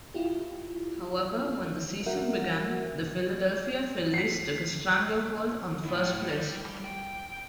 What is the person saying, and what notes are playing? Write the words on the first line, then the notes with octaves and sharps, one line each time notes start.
However, when the season began, the Philadelphia Phillies took a stranglehold on first place.
E4 F4 G4
G3 F#4 A#4 E5 F#5
B6 C7
A3 E4
G3
G5